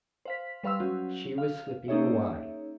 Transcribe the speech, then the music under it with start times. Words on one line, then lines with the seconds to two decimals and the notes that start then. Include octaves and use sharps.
She was slipping away.
0.25 C5 F5 B6
0.63 G3 B4 F5 C6 E6
0.80 F#3 C#4 F#4
1.38 F5
1.88 A#3 C#4 D#4 G#4 C#5 E5